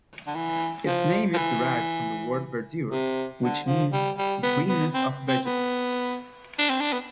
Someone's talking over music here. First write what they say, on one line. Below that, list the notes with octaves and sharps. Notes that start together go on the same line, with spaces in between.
Its name is derived from the word "verdure", which means the greenness of vegetables.
D3
E3
F3
F3
E3
C3
D3
F3
G3
G3
B3
B3
C4
C4
B3
D4
C4
D4
B3